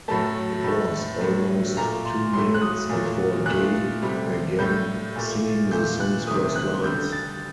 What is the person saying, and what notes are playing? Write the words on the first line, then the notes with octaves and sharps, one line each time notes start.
It was almost two minutes before Gaye began singing the song's first lines.
A2 F#3 A3 A5
A2 A3
A2 F#3 A3
A#2 A3 A#5
C6
A2 F#3 A3 C6
F#6
D#6
A#2 F#3 A3
A#2 A3 F#6
C3 G3
A2 G3 G6
A#2 A3
A#2 A3 G6
F#6
C3 D#3 A3 D#6
F#6
D3 G3 G6
A6